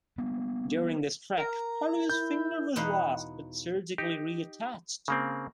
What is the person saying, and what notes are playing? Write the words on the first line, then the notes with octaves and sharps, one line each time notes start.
During this trek, part of his finger was lost but surgically reattached.
G3 A#3 B3
A#4 A#5
E4 B5 G6
E2 B2 D#4 E4 F5 F#5
D#4 G4
C#3 A#3 C4